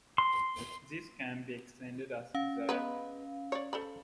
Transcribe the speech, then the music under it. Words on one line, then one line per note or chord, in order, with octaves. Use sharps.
This can be extended as desired.
C6
C#4 F5
G#3 B3 B4
C#5 D5
A4 C5 B5